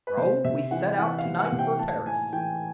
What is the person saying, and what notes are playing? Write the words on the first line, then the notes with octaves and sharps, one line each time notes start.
"Raoul, we set out to-night for Paris."
B4
C3 C5
C3 E5
E3 F#5
E3 F#5
F5
C3
F#5
C3
G5
A2 A5
A2 G#5
E3 G5